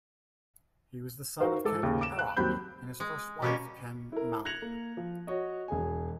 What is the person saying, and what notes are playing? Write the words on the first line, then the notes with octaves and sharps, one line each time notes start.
He was the son of Ken Arok and his first wife, Ken Umang.
D#4 F#4 A#4 C5 F5
G#2 A4 D6
D#2 C#3
D6 D7 E7
F5 F#6
D#2 F#3 G3 C4 B5 G6
G#3
B2 G3 A#3 C#4
E4 A#4
F#6 G#6 A#6 C#7 F7 F#7
A#3
F3
F#4 C#5 D#5
E1 G#4 G#5